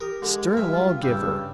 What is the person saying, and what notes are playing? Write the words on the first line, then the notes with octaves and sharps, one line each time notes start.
Stern lawgiver!
G4 A#4 D#6
D3 G#3
G2 G#3 E5 F6
F4
G2 C#3 G3 E6